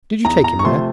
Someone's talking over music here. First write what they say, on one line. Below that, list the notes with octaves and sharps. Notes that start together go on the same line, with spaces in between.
'Did you take him there?'
E2 A#5
A#5
C#6
C3 F3 A3 C6